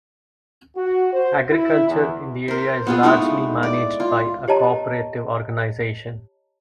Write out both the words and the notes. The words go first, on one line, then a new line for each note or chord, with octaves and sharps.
Agriculture in the area is largely managed by a cooperative organization.
F#4
C5
E4
E2
A#4 C5
B3 F4 G#4
G#3 A3 D#4 E4
D5
F4
G4 C#5 D#5 A5 A#5